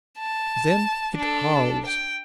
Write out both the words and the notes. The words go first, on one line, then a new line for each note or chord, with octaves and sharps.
Then it howls!
A5
D4 A4
G5